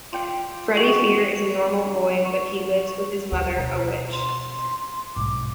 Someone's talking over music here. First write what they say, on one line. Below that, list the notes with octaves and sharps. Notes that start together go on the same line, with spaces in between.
Freddie Fear is a normal boy, but he lives with his mother, a witch.
F4 D5 G5
F#4 G#4
C#5
D2 F#5
B2 A#5
C6
B1 G#2 D6